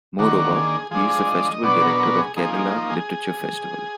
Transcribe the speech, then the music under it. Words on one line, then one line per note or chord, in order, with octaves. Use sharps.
Moreover, he is the festival director of Kerala Literature Festival.
D#3 A#3 D4 F#4
G#4
F3 G#3 D4 G#4
G#4
D#5
D#5
B2 F#3 B3 D4 D5
A#4
A#4
G#4
F3 A#3 D#4 G#4
G#4
G#4